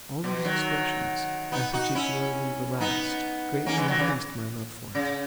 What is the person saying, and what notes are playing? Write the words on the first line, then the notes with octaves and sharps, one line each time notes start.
All these expressions, and particularly the last, greatly increased my love for him.
B2
D#3 F#3
B3 D#4
D#4 F#4
C#4 E4
B3 D#4
A#3 C#4
E3 G#3
D#3 F#3
C#3 E3
C#3